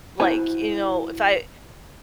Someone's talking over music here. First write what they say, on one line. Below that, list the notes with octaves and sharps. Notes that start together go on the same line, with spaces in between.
Like, you know, if I
E4 F#4 C5 G#5